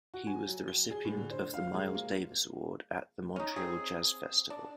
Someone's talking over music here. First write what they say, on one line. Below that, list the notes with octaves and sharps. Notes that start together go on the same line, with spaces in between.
He was the recipient of the Miles Davis Award at the Montreal Jazz Festival.
F#4
G#5
F#3
G7
G#4
A2
D3
C5
F5
G#3
A#3
C#4 D#4
C4 G#4
D4